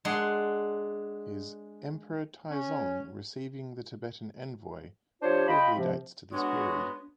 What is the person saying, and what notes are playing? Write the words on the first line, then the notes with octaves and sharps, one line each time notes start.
His "Emperor Taizong Receiving the Tibetan Envoy" probably dates to this period.
G#3 D4 F#5 C6
C#4
F3 D4 F4 G4 C5 C#5
F4 D#5 G5 B5
C3 F3
G#3 B3 D4 F#4 C#5